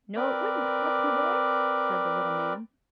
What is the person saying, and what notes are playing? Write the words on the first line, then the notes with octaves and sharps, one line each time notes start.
"No, it wouldn't, Gluck, my boy," said the little man.
C4 A#4 B4 D5 D6